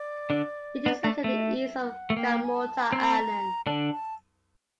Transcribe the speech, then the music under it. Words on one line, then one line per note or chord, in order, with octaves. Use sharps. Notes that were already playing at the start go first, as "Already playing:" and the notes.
It is located east of Kamorta island.
Already playing: D5
D3 D4
B3
A3
A3
D#5
E5
F#5
A3
A#3 G5
G#5
G5
G#5
A5
C4 A#5
B5
A#5
D3 D4 A5
A5